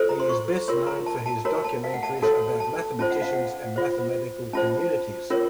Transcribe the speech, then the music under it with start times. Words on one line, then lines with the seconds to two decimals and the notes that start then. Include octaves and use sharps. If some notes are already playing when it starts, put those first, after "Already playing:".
He is best known for his documentaries about mathematicians and mathematical communities.
Already playing: F4 A4 C5
0.09 A#5
0.20 C6
0.29 C#6
0.68 F4 A#4 C#5 C6
0.87 A#5
1.06 A5
1.26 A5
1.45 F#4 A#4 C#5 A#5
1.64 A5
1.84 F5
1.94 F#5
2.03 A5
2.22 F#4 A4 C#5 A5
2.60 A5
2.99 C#4 F4 C5 A5
3.11 F#5
3.22 F5
3.33 F#5
3.76 F4 C5
4.53 C#4 F4 C5 A5
5.30 C#4 F4 A#4 C#5